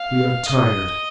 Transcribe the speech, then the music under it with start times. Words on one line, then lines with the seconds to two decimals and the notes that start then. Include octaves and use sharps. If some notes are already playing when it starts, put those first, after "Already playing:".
We are tired.
Already playing: F5
0.46 D#5